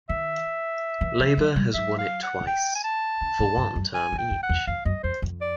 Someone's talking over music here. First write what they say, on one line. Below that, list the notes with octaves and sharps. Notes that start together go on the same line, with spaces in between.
Labor has won it twice, for one term each.
D#3 E5
E3
F3
F#3
G3
F#3 E5
F5
F#5
G5
G#5
A5
D3
G#2
G2
F#2
G#5
E2
G5
F2
F#5
E2
F2 F5
F#2 D#5
F2 C5
F2
D5